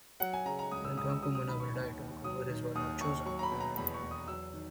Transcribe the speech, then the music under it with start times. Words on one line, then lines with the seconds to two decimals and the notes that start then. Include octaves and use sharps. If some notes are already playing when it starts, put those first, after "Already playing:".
When Tuanku Munawir died, Tuanku Muhriz was not chosen.
0.20 F#3 F#5
0.33 G#5
0.46 C#3 A#5
0.59 A#5
0.71 C#2 D#6
0.85 E6
0.96 C#2 D#6
1.10 E6
1.22 F#3 D#6
1.35 D#6
1.48 D#3 B5
1.60 C#6
1.74 D#2
1.99 D#2
2.24 F#3 D#6
2.49 D#3
2.75 D#2 D#6
3.01 D#2 C#6
3.25 F#3 C#6
3.39 A#5
3.43 B5
3.52 B2
3.60 A#5
3.77 E2 B5
3.94 C#6
4.03 E2
4.11 D#6
4.28 F#3 E6
4.53 D#3